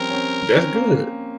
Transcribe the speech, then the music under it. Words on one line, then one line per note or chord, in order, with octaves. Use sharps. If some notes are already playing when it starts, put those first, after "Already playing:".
That's good.
Already playing: F3 G3 C4 C#4 A#4
C#4
C4
C#4
C4
A#3
A#3